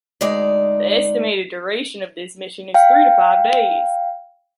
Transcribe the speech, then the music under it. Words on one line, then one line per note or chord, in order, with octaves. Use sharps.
The estimated duration of this mission is three to five days.
D2 G#3 D#4 D5
F5 G5